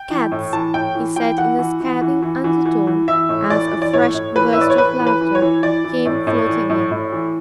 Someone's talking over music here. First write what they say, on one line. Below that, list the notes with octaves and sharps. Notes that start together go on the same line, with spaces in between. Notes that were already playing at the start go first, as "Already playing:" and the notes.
"Cads!" he said in a scathing undertone, as a fresh burst of laughter came floating in.
Already playing: G5
E3
A2
E3 A5
A2 G5
E3
E3 G5
E3 F#5
E3
E3
E3
E3
E3
E3
E3
E3 E5
A2
E3 D5
E3
D5
A2 C#5
A2
E3 B4
E5
A2 D5
C#5
E3 B4
E3
B4
E3
C#5
E3
E3 D5
E3
A2
A2
E3
A2
A2
E3